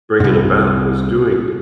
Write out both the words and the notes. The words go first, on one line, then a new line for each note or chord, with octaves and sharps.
bringing about, is doing
C2 G#2